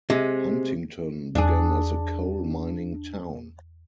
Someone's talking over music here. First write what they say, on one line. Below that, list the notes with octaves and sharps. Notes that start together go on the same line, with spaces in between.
Huntington began as a coal mining town.
C3 G#3
E2 D4 G#4